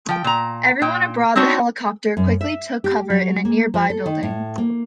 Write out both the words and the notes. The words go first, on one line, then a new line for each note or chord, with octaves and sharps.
Everyone aboard the helicopter quickly took cover in a nearby building.
F3 G5
A#2 A#5
A#2 G5
C4 D4 D#4 F#4 C#5
F#2
E5
G4
F#3
A#3
F3
A4
D#3
A2
A#3